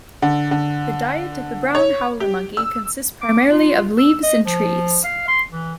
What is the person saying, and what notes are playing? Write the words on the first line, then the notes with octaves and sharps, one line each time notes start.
The diet of the brown howler monkey consists primarily of leaves and trees.
D3
D3
C#5
G4
E6
D6
F4
E6
D#5
F3
F5
C6
E3